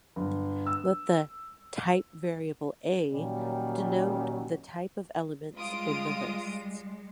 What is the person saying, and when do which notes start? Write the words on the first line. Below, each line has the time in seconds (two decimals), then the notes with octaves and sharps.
Let the "type variable a" denote the type of elements in the lists.
0.16 G1
0.67 E6
3.12 A#2 D#3 F#3 G3 A#3 C#4
5.57 G3 G#3 F4 D#6 D7